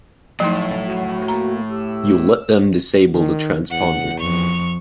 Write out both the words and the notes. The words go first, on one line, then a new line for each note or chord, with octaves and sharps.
You let them disable the transponder.
A2 F3 F#3 A3 D#4
F#4
A#3 A#5
G4 E6
D#3
E2 F#5
F2 C#6 F7